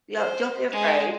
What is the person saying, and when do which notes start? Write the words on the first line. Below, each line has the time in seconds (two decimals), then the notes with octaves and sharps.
Yeah, don't be afraid.
0.17 C5
0.71 G#3